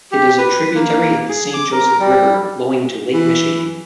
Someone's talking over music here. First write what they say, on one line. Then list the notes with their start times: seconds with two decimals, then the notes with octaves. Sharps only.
It is a tributary of the Saint Joseph River, flowing to Lake Michigan.
0.12 G4
0.38 B4
0.75 A#3
1.29 G#4
1.54 D6
1.72 A#4
2.00 G3
3.13 E3